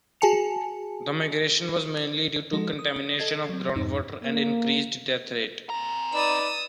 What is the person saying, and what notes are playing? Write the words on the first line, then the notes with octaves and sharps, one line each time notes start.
The migration was mainly due to contamination of groundwater and increased death rate.
F#4 G#4 G#5 A5 C#7 F7
F3 G#3 D#4 F#4 A4
D#6
A4 D#5 G#6 A6 C7
F#3 C4
F2 G#2 D#4
A#3
C4 A#5
D#4 B4 D5 D#6 E6